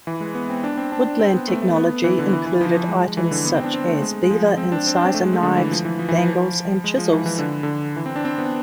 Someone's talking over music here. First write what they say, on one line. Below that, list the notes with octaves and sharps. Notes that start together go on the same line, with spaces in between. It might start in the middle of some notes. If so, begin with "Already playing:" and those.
Woodland technology included items such as beaver incisor knives, bangles, and chisels.
E3
G#3
B3
C4
D4
C4
D4
D4
C4
B3
A3
A3
B3
E3
D3
E3
E3
F3
F3
G#3
E3
D3
B3
C4
D4
C4
A3
G#3
G#3
F3
G#3
C4
D4
C4
D4
C4
A3
G#3
A3
D3
E3
F3
E3
F3
E3
F3
G#3
F3
E3
E3
D3
D3
E3
C4
D4
C4
B3